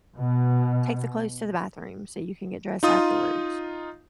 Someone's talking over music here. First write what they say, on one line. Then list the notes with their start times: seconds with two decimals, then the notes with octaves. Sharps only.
take the clothes to the bathroom so you can get dressed afterwards.
0.17 B2
2.83 D#4 F4 D#6